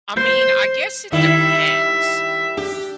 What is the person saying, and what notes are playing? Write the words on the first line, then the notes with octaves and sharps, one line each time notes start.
I mean, I guess it depends.
C5 G6 C7
D#3 G3 E4 E5
D4 G4